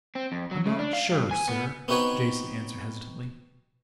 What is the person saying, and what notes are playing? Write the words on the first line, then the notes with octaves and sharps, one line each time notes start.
"I'm not sure, sir," Jason answered hesitantly.
C4
F2
F#3
C#3
D4
F5
G2
G#5
B3
B3 C4 D#4 F#4 B4 C#5